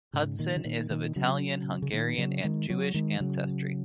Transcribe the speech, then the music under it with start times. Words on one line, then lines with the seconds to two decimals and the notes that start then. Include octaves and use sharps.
Hudson is of Italian, Hungarian and Jewish ancestry.
0.13 G#2 C#3
0.39 A#2 D#3
0.56 C#3
0.65 A#2 D#3
0.90 A#2 D#3
1.16 C#3 F#3
1.82 C#3
1.93 A#2 D#3
2.18 C#3 F#3
2.44 D#3 G#3
2.70 C#3 F#3
2.94 D#3 G#3
3.20 C#3 F#3